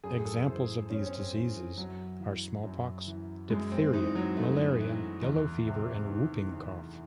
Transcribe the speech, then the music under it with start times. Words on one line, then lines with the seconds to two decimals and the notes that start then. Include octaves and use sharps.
Examples of these diseases are smallpox, diphtheria, malaria, yellow fever, and whooping cough.
0.04 F#2 G#4
0.19 G#4
0.26 A4
0.47 E3 C5
0.90 F#2 C#4
0.98 C4
1.06 C#4
1.19 C4
1.34 E3
1.77 F#2 F#3
2.20 E3
2.64 F#2
3.07 E3
3.50 F#2 G#3
3.72 C4
3.93 E3 D#4
4.15 F#3
4.37 F#2 A3
4.80 E3
5.23 E2
5.67 C3
6.10 D#3
6.54 E2